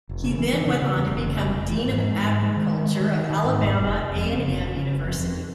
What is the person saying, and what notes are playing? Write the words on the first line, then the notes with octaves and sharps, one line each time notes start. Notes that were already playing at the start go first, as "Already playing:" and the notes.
He then went on become Dean of Agriculture of Alabama A and M University.
F1
C#3
E3
E3
C#3
C#3
E2
F1
C#3
F1
F1
E3
G#2
G#3
G#2
G#3
G#3
D#3
G#3
G#3
D#3
D#3
D#3
G#2
F1
F1
F1
F1
F2
C#3
F1
C#3
C#3
F1
F2
F2